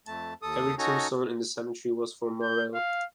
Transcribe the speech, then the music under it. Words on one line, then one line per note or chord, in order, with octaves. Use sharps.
"Every tombstone in the cemetery was for a Moreau".
F2 A3 A5
D#2 A4 D#6
C#4 D#4 F#4 A4 G#5 A#5
G6
F5